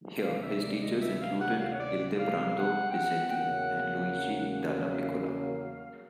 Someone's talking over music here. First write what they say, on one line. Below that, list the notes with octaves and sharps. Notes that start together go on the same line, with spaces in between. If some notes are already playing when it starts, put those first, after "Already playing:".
Here his teachers included Ildebrando Pizzetti and Luigi Dallapiccola.
D2 C3 D#3 G3 F5
E5
D5
D#5
E5
F5
F#5
F5
C#5
D5
F5
F5
F#5
G5
F#5
G5
E2 C#3 F#3 A#3 C#4 F#5
E5
F5